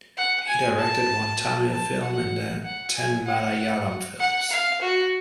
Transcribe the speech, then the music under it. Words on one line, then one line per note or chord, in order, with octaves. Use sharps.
He directed one Tamil film and ten Malayalam films.
F#5
G#5
A5
A5
F#5
F#5
G#5
F#5
F#5
F5
F#4